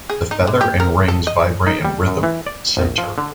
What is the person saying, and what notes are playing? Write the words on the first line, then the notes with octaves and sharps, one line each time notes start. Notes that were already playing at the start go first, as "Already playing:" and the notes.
The feather and rings vibrate in rhythm with the sintir.
G#4
D#4
D3
G4
A#4
A4
D#5
D#4
G3
F#2
E3
D5
A#1
F3
D3